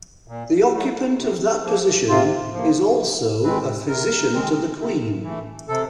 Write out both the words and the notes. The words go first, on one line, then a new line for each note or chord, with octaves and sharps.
The occupant of that position is also a Physician to the Queen.
A#2
F#3 A3
C3
F3 A#3
C3 F4
F3 A#3
C3
D#3 G#3 C4 B4
C3 A#4
D#3 G#3 C4
C3
E3 A3
C3 A4